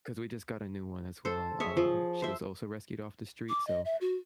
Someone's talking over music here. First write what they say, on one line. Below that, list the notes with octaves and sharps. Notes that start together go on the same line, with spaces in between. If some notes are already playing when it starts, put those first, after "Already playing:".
'cause we just got a new one as well. Um, she was also rescued off the street, so
A4 C5
G#4 C#5 E5
F3
C5 E5
D6
D#5
E5
F#4